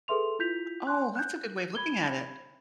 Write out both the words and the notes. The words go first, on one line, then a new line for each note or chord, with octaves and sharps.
Oh, that's a good way of looking at it.
G#4 A4 B4 E5 C6 F7
E4 F4 G6 B6 F7
G#5 C6 F#6
F#6 G6
B5 G#6 G7